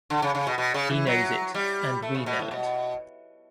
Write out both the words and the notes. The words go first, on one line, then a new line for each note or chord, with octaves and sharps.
He knows it and we know it.
D3
C#3
C#3
B2
B2
C#3
E3
F#3
G3
A3
C#3
B2
A2
B2